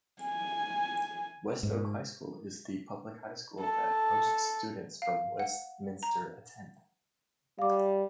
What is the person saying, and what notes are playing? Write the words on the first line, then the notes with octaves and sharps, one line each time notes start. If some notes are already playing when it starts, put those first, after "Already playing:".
West-Oak High School is the public high school that most students from Westminster attend.
G#5
G#2
A4
F5
F#5
A#5
G3 F5 D6